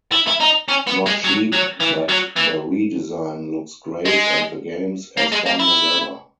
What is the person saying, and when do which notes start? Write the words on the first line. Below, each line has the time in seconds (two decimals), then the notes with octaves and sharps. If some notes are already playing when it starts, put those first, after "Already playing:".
Not cheap, but the redesign looks great and the game's as fun as ever.
0.12 E4
0.27 E4
0.40 D#4
0.68 C#4
0.87 B3
1.06 G#3
1.24 F#3
1.53 F#3
1.81 E3
2.09 F#3
2.37 E3
4.06 G#3
5.17 A#3
5.32 G#3
5.46 A#3
5.59 E4